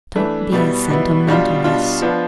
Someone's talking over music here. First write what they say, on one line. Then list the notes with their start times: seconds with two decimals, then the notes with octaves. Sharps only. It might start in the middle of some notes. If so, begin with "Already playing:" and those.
Don't be a sentimentalist.
0.16 E3 A3 D4
0.52 B2 G3 B3 E4
0.90 B2 G3 B3 E4
1.27 B2 G3 D4 F4
1.64 B2 G3 D4 F4
2.02 F3 B3 D4 F4